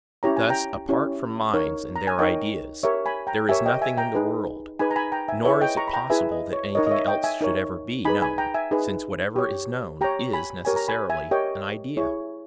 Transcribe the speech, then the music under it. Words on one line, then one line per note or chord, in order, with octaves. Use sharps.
Thus apart from minds and their ideas there is nothing in the world, nor is it possible that anything else should ever be known, since whatever is known is necessarily an idea.
C#4 E4 G4 C#5 A#5
G#5
G5 A#5
C#4 E4 G4 C#5
D#4 A#4 C#5
A#5
G#5
D#4 A#4 C#5 D#5 G5
G4 A#4 C#5 E5
G#5 B5
G5 A#5
G4 A#4 C#5 E5 G#5
D#5 G5
E5 G#5
G5 A#5
D#4 G#4 B4
D#4 G#4 B4 G#5 B5
A#5
G#5 B5
G5 A#5
E5 G#5
E4 G#4 B4 C#5 E5
D#5 G5
A#5 C#6
B5
G5 A#5
E4 G#4 B4 E5 G#5
D#5
C#5
D#4 A#4 C#5 D#5
D#5
C#5 E5
D#5 G5
E5 G#5
D#4 A#4 C#5
D#4 G#4 B4 G#5 B5
G#5 B5
G5 A#5
E5 G#5
D#4 G#4 B4
G4 C#5
G4 C#5 G5 A#5
G#5 B5
G4 A#4 C#5 G#5
A#5
G#5 B5
E5 G#5
G4 A#4 C#5 D#5 G5
E4 G#4 C#5